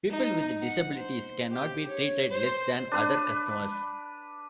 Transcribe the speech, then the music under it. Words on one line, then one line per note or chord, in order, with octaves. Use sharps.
People with disabilities can not be treated less than other customers.
D#4
F#5
C5
G4
C#5
C5
D4 B4